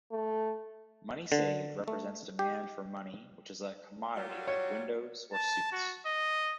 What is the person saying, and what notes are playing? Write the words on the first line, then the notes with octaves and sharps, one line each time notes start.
Money saved represents demand for money which is a commodity like windows or suits.
A3
D3
A3
G4
F#3 G3 F4
C#5
A5
F#4
D#5